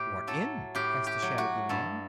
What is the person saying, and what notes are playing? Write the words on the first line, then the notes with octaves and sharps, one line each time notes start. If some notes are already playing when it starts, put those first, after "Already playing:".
"What in?" asked the shaggy man.
Already playing: A2 G4
F#3 A4
A2 G4
G4
F#3
F#4
G2 A4